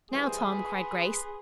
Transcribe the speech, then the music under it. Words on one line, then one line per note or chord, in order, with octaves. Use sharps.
"Now, Tom," cried Grace.
E3 G3 G#4 C5
B4 C6